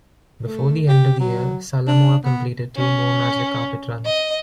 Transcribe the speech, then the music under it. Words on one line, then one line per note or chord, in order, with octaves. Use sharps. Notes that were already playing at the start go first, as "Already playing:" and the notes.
Before the end of the year, "Salamaua" completed two more "Magic Carpet" runs.
A3
G4
F#3
D4
B3
C#4
D#5